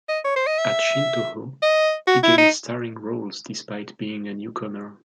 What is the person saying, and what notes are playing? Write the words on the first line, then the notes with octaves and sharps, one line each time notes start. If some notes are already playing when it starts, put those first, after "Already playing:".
At Shintoho he gained starring roles despite being a newcomer.
D#5
C#5
C5
D#5
E5
D#5
F#4
E4
D#4